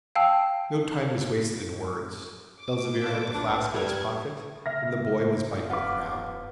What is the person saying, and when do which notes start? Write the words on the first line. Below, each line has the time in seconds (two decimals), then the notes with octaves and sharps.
No time was wasted in words; Elzevir had the flask in his pocket, and the boy was biting the crown.
0.16 F5 G5 A5 E6
2.60 D6
3.01 F4 A4 B4 E5
3.34 B1 D4
3.73 G3 A3 A4 A#4 G#6
4.66 C#3 E5 F6 A#6
5.70 D#1 B3 F4 B4 F#5 D6